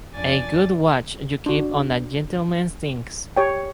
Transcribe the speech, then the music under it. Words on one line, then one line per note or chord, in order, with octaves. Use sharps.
A good watch you keep on a gentleman's things!
F2 D4 D5 G#5 A6
D4 F#4
G4 C#5 G5